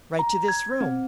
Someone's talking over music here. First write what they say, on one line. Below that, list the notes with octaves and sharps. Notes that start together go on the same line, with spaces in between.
"Right to this room!"
A#5
G#6
C4